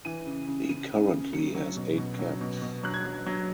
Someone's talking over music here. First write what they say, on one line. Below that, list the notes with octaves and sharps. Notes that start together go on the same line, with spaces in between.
He currently has eight caps.
E3 D#7
C#3
C#3
C#3 D#7
C#3
C#3
F#3 C#7
F#3
B2
B2
F#3
B2
B2
F#3 F#6
G#6
F#3
F#3